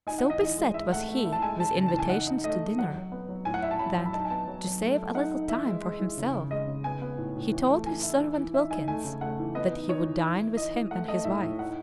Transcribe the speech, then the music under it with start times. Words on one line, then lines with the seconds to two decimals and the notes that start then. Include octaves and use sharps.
So beset was he with invitations to dinner, that, to save a little time for himself, he told his servant Wilkins, that he would dine with him and his wife.
0.07 D#4 G#5
0.18 E3 F#5
0.30 D#5
0.41 E3 D#5
0.58 G#3
0.74 E4 E5
0.92 A3 F#5
1.09 A3
1.25 E4
1.32 A5
1.42 G#3 G#5
1.59 G#3 A5
1.76 C#3 A5
1.88 E3 A5
1.99 G#5
2.10 D#4 F#5
2.27 D#4
2.44 A3 D#5
2.61 D#3
2.78 F#3 F#5
2.96 F#3
3.12 B3
3.29 F#3
3.45 A2 G#5
3.54 F#5
3.62 E4 E5
3.71 A5
3.79 F#3 B5
3.96 F#3
4.06 B5
4.13 D#4 A5
4.25 G#5
4.30 B3 A5
4.47 F#3
4.64 F#3
4.81 A3
4.98 A3
5.15 D#4 F#5
5.32 D#4
5.49 E3 E5
5.65 G#3
5.83 G#3
5.99 E3
6.17 C#3
6.33 C#3
6.51 G#3 D#5
6.67 C#3
6.84 B3 G#5
7.02 B3
7.18 A2
7.36 A2
7.52 E3
7.70 A3
7.86 E3 G#5
8.03 E4
8.20 E3
8.38 E3
8.54 D#4 E5
8.70 D#4 G#5
8.88 A3 G#5
9.05 C#3
9.21 A3 F#5
9.39 E3
9.55 B3 D#5
9.73 D#4
9.89 D#4 C#5
10.06 E3
10.23 E3
10.40 E4
10.57 E3 D#5
10.74 E3
10.91 A3 F#5
11.08 A3 D#5
11.24 A2 E5
11.42 A2
11.59 D#4 F#5